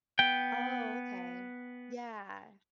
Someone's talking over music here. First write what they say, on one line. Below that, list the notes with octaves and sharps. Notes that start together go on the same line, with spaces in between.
Oh, okay. Yeah.
B3 G5